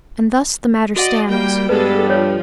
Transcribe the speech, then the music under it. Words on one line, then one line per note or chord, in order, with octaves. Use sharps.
And thus the matter stands.
F#4 D5 D#5 F#5
G3 A#3 G5
G2 G3 G#3 B3 A4 B4 A5
F3 C#5 D5